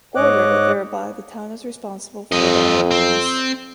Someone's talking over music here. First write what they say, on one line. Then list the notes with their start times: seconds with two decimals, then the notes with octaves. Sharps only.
Order, thereby the town is responsible for their maintenance.
0.16 G#2 C#5 D#5 D6 F#6
2.32 F2 C4 D#5
2.91 C4